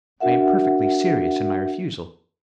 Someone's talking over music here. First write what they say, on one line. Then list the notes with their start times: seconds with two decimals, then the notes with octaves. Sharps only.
I am perfectly serious in my refusal.
0.20 D4 F#4 A#4 E5 F#5